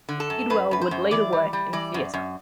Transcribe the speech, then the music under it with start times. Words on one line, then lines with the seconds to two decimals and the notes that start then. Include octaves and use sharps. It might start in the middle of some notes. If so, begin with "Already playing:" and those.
Kidwell would later work in theater.
0.09 D3
0.20 A4
0.30 F#2
0.50 F#2 B4
0.71 F#2 B4
0.81 C5
0.91 F#2
1.11 E3 D5
1.33 G3
1.53 G3
1.73 E3 D5
1.94 F#2
2.14 F#2